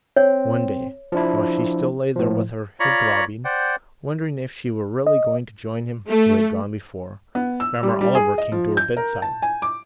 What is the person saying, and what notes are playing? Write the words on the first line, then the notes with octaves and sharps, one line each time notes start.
One day, while she still lay there with her head throbbing, wondering if she were really going to join him who had gone before, Grammer Oliver came to her bedside.
C4 C#5
F3 D4 E4
A2 F3
F4 C#5 D5 A#5 B5 C#6
C5 D5 F#5 G5
D#5
A3
B3
E6
G3
G3
G#4
D#5
F3
G6
A#4
A5
G#5
D6